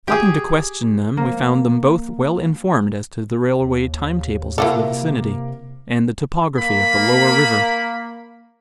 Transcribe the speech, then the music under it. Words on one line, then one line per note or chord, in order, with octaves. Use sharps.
Stopping to question them, we found them both well-informed as to the railway time-tables of the vicinity and the topography of the lower river.
G4 G#4
A#3
D#2
C3 A#3 E4 F#4 A4 A#4 F5 D6
A#3 B5